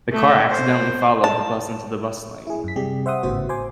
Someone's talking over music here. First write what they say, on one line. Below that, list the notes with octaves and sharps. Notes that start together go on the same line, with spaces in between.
The car accidentally followed the bus into the bus lane.
A3
C5
A5
E4 G#4
F#2 B6
C3 G3 G4 G#4
C5 E5 F#5 C6 D#6
G#1 A2 C#3 B3 F#4 C5
C5 G#5 C6 D6